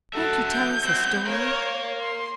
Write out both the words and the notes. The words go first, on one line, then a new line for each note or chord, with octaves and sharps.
"Won't you tell us a story?"
F#4 A4 E5
G6
B3 C4
A#4 C#5 F5
C6